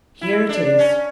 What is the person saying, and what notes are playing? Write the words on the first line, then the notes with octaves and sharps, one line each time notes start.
"Here it is."
E4
D4
C#4